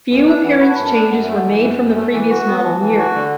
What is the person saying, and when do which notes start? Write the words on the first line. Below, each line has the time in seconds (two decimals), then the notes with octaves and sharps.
Few appearance changes were made from the previous model year.
0.10 F#2 B4
0.27 D4 E5
0.44 E3 F#5
0.61 F#4 B5
0.69 A5
0.76 F#2 B5
0.86 A5
0.94 D4
1.11 F#2 F#5
1.24 A3 E5
1.36 F#5
1.46 E3
1.62 F#2 E5
1.79 F#2
1.96 A3
2.13 E3
2.30 F#4
2.47 B3
2.64 E3 A5
2.81 E3
2.88 A5
2.98 F#4
3.14 D3 F#5